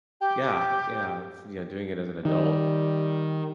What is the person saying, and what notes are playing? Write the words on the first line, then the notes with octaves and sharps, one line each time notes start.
Yeah. Yeah, it's you know, doing it as an adult,
G4 G5
D#3 G3